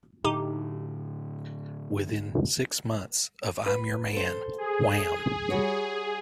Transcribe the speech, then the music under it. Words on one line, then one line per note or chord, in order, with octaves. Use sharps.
Within six months of "I'm Your Man", Wham!
A2 D3 D#4 G4
B4
A4 C5
G#4
G3 F#4 C#5